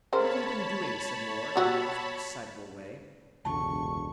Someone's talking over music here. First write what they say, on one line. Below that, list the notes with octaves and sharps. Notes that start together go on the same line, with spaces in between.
"What have you been doing?" said Moore, in a most excitable way.
C#3 A#4 C5 C#5 A5 B5
G3 F#4 E5
E1 C#2 F#2 D3 A5 C#6